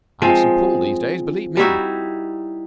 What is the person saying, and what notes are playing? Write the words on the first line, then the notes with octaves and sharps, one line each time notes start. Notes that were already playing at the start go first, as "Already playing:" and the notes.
I have some pull these days, believe me.
F3 G#3 C4
G3 D#4 E4 F#4